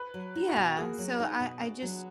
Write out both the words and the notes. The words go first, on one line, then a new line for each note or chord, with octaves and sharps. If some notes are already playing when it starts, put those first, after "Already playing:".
Yeah. So, I I just
Already playing: B4
F#3
D#4
F#4
B2
A#3 G#4
F#3
D#4
B2
D4
F#3